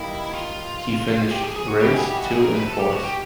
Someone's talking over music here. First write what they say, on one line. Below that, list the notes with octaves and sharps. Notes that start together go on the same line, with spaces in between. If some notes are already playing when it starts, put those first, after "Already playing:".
He finished race two in fourth.
Already playing: D#3 G3 A#3 D#4 E4
F4
G4
G#4
G#4
F#4
B2 G3 B3 E4 G4
G#4
G4
F#4
G#4
A#4
B4
A4
G4
F#4
G4